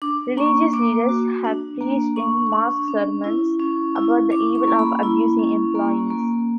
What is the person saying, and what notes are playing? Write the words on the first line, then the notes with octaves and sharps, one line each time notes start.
Religious leaders have preached in mosques sermons about the evil of abusing employees.
D4 D6
A#3 C#6
A#3 D6
F#4
D4
A#3
D4 C#6
D4
C#4
E4
C#4
E4
C#4 D6
C#6
A#3
B5
E4
C#4
A#3
A#3